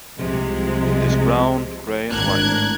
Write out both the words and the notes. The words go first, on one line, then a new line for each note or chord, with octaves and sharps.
It is brown, gray, and white.
C2 C3 F3 G#3
G#1 A2 D4 A#4 F#6 G#6